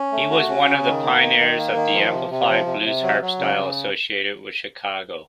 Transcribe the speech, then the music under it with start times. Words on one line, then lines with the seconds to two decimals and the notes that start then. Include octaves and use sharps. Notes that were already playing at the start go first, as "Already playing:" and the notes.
He was one of the pioneers of the amplified blues harp-style associated with Chicago.
Already playing: C#4
0.12 A3
0.31 F#4
0.49 C#4
0.67 C#3
0.86 D#3
1.03 A#3
1.21 D#3
1.39 D#3
1.58 A#3
1.75 D#3
1.94 F3
2.11 C3
2.30 C3
2.49 F3
2.66 C3
2.85 C3
3.02 F#3
3.22 F#3
3.39 C#3
3.57 C#3